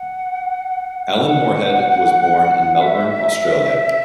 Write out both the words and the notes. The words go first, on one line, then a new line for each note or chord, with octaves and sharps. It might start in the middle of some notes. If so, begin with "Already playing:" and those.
Alan Moorehead was born in Melbourne, Australia.
Already playing: F#5
F#5
E5